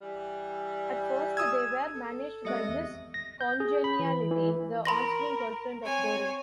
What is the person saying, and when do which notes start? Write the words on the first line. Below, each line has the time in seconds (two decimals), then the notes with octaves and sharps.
At first, they were managed by Miss Congeniality, the onscreen girlfriend of Doring.
0.01 E3 G3
1.37 D#6 E6 G#6
1.95 A4
2.45 G3 G#3 B3 C4 D#5 E5 C#7
2.69 E2
3.14 A#6
3.41 G6
3.60 G#4
3.84 B5
4.00 E3
4.31 E3
4.85 A#4 B5 C6 A#6
5.84 C4 C#5 G#5